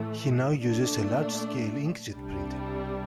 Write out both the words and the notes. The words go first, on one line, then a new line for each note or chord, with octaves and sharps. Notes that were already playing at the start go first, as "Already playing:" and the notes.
He now uses a large-scale inkjet printer.
Already playing: A2 E3 A3
A#2 A3 D4
C2 C3 G3 D4